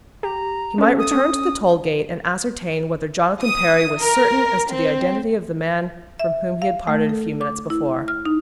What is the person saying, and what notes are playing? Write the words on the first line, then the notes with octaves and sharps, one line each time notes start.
He might return to the toll gate and ascertain whether Jonathan Perry was certain as to the identity of the man from whom he had parted a few minutes before.
G4 A#5
C#4 A4
D#6
C#4
D#6
A#4
C4
E5
F5
A3
A4
D6
E4
F6
D#4